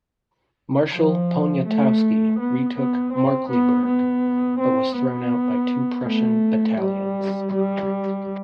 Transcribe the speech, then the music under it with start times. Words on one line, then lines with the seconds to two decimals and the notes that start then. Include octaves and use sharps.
Marshal Poniatowski retook Markkleeberg, but was thrown out by two Prussian battalions.
0.93 F3
1.66 A3
2.39 B3
2.76 B3
3.13 C4
3.49 B3
3.86 B3
4.59 C4
4.96 B3
6.06 A3
6.79 G3
7.52 G3